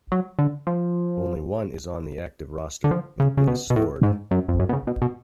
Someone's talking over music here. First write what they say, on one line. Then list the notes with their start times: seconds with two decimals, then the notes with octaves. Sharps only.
Only one is on the active roster, and it is stored.
0.12 F#3
0.39 D3
0.67 F3
2.84 D3
2.91 F3
3.20 C#3
3.37 C#3
3.48 B2
3.70 B2
3.76 A2
4.03 G#2
4.31 F#2
4.48 F2
4.59 F#2
4.69 B2
4.73 C#3
4.87 B2
5.02 B2